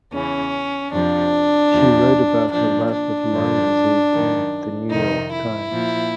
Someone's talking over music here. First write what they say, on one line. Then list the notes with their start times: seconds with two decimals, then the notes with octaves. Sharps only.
She wrote about her life with Lyme disease in "The New York Times".
0.13 E2 C#3 E3 C#4
0.92 F2 C3 F3 D4
1.73 E2 C3 F3
2.52 A#2 F3 D4
2.92 D4
3.32 G2 D3 F3
4.11 F#2 D#3
4.91 F2 C3 D#3 D#4
5.32 E4
5.71 A#2 F3